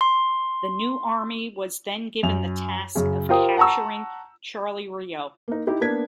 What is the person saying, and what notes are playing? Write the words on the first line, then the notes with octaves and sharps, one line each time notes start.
The new army was then given the task of capturing Charleroi.
C6
F#2 F7
F#2 C#3
F4 G4 A#4 C5 G5 D#6
F#5 A5 A#5 C#6 E6
A#3 D#4
D#4 E4 G4
A#3 B3 D4 G#6 B6